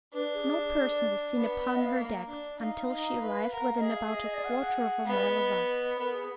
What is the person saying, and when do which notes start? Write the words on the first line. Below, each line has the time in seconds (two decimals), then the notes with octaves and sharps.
No person was seen upon her decks until she arrived within about a quarter of a mile of us.
0.13 D4 B4
0.34 G#4
0.44 G#4
0.59 G#4
0.74 G#4
0.89 D5
1.37 B3
1.67 F#5
1.75 D#5
1.82 F5
1.97 A#3
2.28 D4
2.59 D#4 F5
2.75 F5
2.90 D#4
3.21 B4
3.52 A#4 F#5
3.65 F5
3.78 D#5
3.83 G#4
3.90 F5
4.13 D#5
4.24 D#5
4.34 D5
4.44 F#5
4.51 F5
4.59 F#5
5.06 B3 F5
5.14 D5
5.22 D#5
5.98 B3 A#4
6.13 G#4